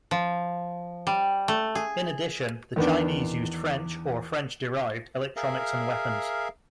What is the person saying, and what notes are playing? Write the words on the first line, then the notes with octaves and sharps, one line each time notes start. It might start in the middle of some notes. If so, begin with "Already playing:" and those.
In addition, the Chinese used French, or French-derived, electronics and weapons.
F3
G3
A3
G#4
E2 D#3 B3 D4
G#4 A#4 E5 F5